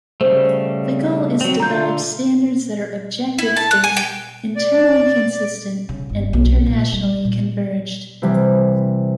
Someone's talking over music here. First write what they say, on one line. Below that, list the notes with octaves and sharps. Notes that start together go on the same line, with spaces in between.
The goal is develop standards that are objectives-based, internally consistent, and internationally converged.
C#3 G3 A3 C5
F#3 C4
D3 F4 A#5 G6
E4
A5
F#6
G#5
G5
D5
C#3
G1
B1
A#2
G3
A#2
C3 E3 G3